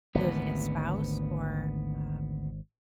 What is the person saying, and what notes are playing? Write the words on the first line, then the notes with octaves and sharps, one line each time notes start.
losing a spouse or, um,
G#1 D2 B3